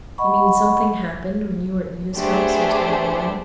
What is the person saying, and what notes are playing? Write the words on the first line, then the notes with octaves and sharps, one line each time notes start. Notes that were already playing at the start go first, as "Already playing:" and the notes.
"You mean something happened when you were at Nita's house yesterday morning?"
D#5 F#5 B5 C#6
A3 B3 D4 G4 G#4 C5